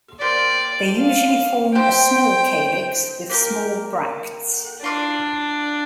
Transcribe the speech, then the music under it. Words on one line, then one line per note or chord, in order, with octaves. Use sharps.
They usually form a small calyx with small bracts.
A#3 G4 C5 D5
F5
C4 G4 C5 G5
A#3 G4 A#4
D4 F4 D5 F5